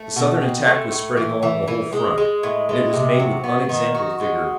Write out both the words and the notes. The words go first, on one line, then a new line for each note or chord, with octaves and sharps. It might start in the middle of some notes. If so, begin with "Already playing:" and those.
The Southern attack was spreading along the whole front, and it was made with unexampled vigor.
Already playing: A3
B2
C4
A3
A2
E3
E3
E3
G#3
G#3
A2
G#3
C3
F#3
B3
D#3
F#4
G#3